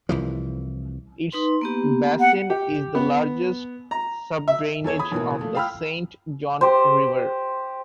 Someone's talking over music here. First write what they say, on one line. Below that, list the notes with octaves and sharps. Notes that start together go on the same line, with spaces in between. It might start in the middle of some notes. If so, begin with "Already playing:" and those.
Its basin is the largest sub-drainage of the Saint John River.
C2 E3 F3
D#4 B4 C6
A#3 B3 G4
F#5
G4
B3
A#5
E5
E2 A4 C#5 G#6
B5 D#6
A1 B2 E3 A#3 E4
A#2 F3 A3
F5 G5 B5 E6 F6
G4 C5